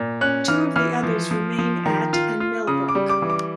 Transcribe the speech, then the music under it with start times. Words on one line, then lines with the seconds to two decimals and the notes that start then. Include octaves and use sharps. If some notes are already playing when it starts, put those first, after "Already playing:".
Two of the others remain at and Milbrook.
Already playing: A#2
0.21 C#4 F#6
0.48 E3 F6
0.76 E3 F6
1.03 F3
1.31 F3
1.58 F3
1.86 D#3
2.13 F4
2.40 F4
2.67 C#3 D#6
2.89 D6
2.95 G3
3.09 D6
3.22 E3
3.30 D6